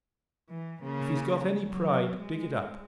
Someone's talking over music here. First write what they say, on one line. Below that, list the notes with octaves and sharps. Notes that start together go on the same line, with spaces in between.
If he's got any pride, dig it up.
E3
C#3 A#3
F#3
G#3